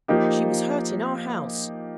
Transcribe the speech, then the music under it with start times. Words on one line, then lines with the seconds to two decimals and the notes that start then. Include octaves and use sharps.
She was hurt in our house.
0.08 F3 A#3 D#4 G4